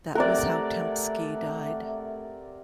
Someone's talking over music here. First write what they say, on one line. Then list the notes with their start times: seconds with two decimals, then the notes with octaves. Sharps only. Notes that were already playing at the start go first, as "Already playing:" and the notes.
That was how Tempsky died.
0.15 C3 A3 A#4 D5 F#5